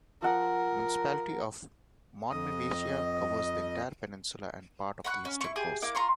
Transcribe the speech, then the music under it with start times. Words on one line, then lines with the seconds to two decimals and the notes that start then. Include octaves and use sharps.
The municipality of Monemvasia covers the entire peninsula and part of the eastern coast.
0.22 F3 A#4 F#5
2.29 F2 D#5
5.04 F#5 B5 C#6 F#6
5.25 C#4
5.41 E4 C#6
5.56 G4 G#4 G#5
5.82 A#3 E4 D6
5.95 F4 A#5 C6 C#6